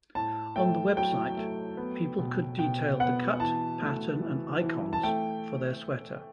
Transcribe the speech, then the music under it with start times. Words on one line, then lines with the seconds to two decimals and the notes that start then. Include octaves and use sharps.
On the website, people could detail the cut, pattern, and icons for their sweater.
0.15 A2 A5
0.56 A3 G5
0.97 F#3 G5
1.37 A3
1.77 B3
2.18 B2
2.59 B2 G5
3.00 B3 F#5
3.40 E3 A5
3.82 A3
4.22 E3
4.62 E3
4.93 A5
5.03 A3 G5